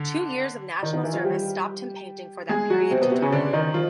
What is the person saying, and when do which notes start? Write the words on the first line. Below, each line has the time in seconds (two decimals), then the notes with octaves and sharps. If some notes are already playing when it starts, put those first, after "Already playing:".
Two years of national service stopped him painting for that period to time.
Already playing: D3 D4
0.83 D#3 D#4
0.93 D#3 D#4
1.03 E3 E4
1.14 F3 F4
1.24 G3 G4
2.49 G#3 G#4
2.70 F#3 F#4
2.91 C3 C4
3.01 B2 B3
3.12 C3 C4
3.22 C#3 C#4
3.32 D3 D4
3.53 D#3 D#4
3.74 F3 F4